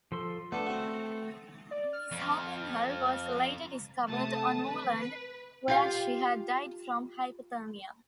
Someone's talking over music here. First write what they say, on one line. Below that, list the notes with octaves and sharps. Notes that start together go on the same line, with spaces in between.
Miss Hockenhull was later discovered on moorland, where she had died from hypothermia.
F3 A4 C6
A3 B3 D4 A4
C4 F#4
D5
F6
F2
C3 A3 A5 D#6
B4
F4 G4 F5